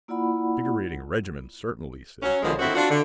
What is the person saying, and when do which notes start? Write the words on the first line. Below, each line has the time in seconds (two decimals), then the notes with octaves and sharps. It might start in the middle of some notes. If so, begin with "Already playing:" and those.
"Invigorating regimen, certainly!" said Bell.
0.08 A#3 E4 F4 D5 F#5 B5
2.23 F#3 C#4
2.43 B2 D3 D#3 F3 G#3 G#4
2.59 D3 C4 E4 F#4
2.75 D4 F4 F#4
2.90 D3